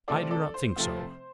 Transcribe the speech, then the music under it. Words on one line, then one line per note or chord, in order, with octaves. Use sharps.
I do not think so.
C3 F3 A3 C4 A4 D5
A4 D5
C5
C3 F3 A3 C4